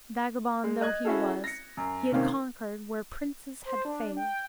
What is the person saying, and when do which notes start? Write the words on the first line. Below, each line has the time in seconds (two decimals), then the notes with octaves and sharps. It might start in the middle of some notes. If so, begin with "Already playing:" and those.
Vagabond though he was, he had conquered where princes had failed.
0.64 G#3
0.81 D#5 F#6 G#6
1.05 C#4 E4 F#4 G#4 A4
1.44 A#6 C#7
1.77 F#2
2.11 C3 D#3 A#3 C4 C#4
3.65 C5
3.85 D4
4.17 G5